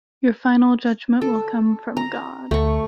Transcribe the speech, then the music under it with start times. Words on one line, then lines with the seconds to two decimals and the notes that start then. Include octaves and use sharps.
Your final judgment will come from God.
1.22 A4
1.97 A#5
2.51 D2 A3 C#6